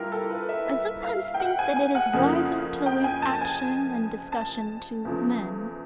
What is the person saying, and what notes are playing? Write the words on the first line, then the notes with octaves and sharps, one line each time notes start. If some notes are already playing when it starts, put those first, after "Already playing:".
"I sometimes think that it is wiser to leave action and discussion to men."
Already playing: G2 E4 F4 G4 A#4
A4
B4
E5
E5
F5
G5
F#5
G#5
G#5
F#5
F2 C#3 F3 A#3
G5
G#5
A5
G#5
A5
E2 C#3 F3 A3